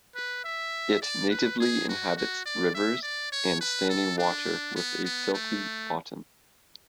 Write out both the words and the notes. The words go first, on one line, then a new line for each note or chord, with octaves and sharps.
It natively inhabits rivers, and standing water with a silty bottom.
B4
E5
D5
B4
G#4
F#4
F#4
D5
E5
D5
C#5
B4
A4
D4
B3
B3
A3